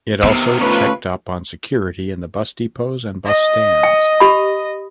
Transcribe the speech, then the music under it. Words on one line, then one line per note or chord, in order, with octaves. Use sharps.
It also checked up on security in the bus depots and bus stands.
C3 D#3 B3 E6
A3 C#4 F4 B4
D#5
G5
G4 B5